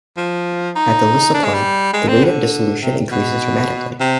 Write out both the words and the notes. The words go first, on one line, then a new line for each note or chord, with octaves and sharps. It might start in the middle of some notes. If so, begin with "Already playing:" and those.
At the lysocline, the rate of dissolution increases dramatically.
F3
D#4
D4
G#3
G3
G#3
C4
D3
C3
B2
C3